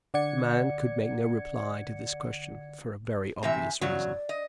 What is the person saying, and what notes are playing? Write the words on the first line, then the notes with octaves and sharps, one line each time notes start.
The man could make no reply to this question, for a very obvious reason.
D3 D5 F#5 G#6 C#7
C3 E3 E5 G#5
E2 C#3 F#3 D5
D#5